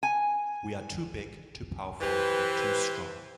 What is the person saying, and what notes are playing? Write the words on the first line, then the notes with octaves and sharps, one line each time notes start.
We are too big, too powerful, and too strong.
G#5
E3 G4 B4 C5